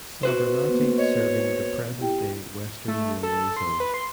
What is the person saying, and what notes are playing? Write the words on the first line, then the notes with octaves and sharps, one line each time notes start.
Sabarmati serving the present day Western Railway zone.
F#4 B4 C5
A#3 B3
C#5 D#5
E4 G4 G5
A3
A4
C6
B4
C6